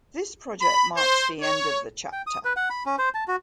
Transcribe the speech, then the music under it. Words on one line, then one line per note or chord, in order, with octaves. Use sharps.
This project marks the end of the chapter.
B5
C5
C#5
G5
D#6
B4
F#5
B5
C#4
C5
A5
F#4